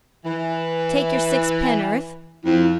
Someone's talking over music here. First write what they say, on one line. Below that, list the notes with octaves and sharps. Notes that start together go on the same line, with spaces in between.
Take your sixpenn'orth.
E3
F2 E4